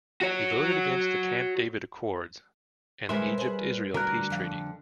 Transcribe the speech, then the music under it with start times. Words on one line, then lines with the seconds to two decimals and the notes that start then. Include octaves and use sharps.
He voted against the Camp David Accords and the Egypt-Israel Peace Treaty.
0.21 F#4 C#5
3.09 D3 G#3 C4 A#4 B4 E5 C6
3.38 G3 G#4 C5
3.94 D2 D3 G3 F#4 A#4 B4 F#6
4.30 F2 F3 F5